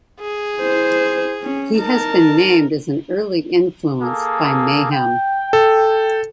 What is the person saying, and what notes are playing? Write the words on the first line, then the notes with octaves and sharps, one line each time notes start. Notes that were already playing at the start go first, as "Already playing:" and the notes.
He has been named as an early influence by Mayhem.
G#4
E4 C5
C#4
D#4 A#4 A5
A#3 G#4 A4
G5
A4